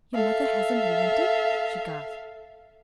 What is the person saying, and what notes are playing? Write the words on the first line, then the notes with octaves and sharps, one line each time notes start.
"Your mother hasn't relented?" she gasped.
A4 E5 F5